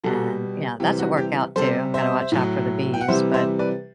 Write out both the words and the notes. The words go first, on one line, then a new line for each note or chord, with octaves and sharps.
and, you know, that's a workout too, gotta watch out for the bees, but
B2 G3 F#4 A4
C3 E3 G3 G4
F#4
G4
C3 G3 A4 C5
C5 E5
A2 F#3
G5
F#5
C3 E3 G3 C5 E5
C5 E5
B4 D5